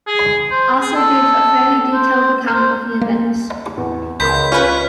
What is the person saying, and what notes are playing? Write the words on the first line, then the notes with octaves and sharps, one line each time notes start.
Asser gives a fairly detailed account of the events.
G#4
C5
G#4
A4
C5
C5
A#3
E2
C#2 A#4 B5 C6 G6 B6
C#4 F4 B4 F6